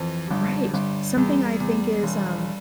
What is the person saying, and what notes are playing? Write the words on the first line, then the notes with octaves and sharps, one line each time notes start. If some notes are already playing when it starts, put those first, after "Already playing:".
Right. Something I think is, um,
Already playing: F2 E3
G1 G3
G1 G3
E2 G3
E2
E1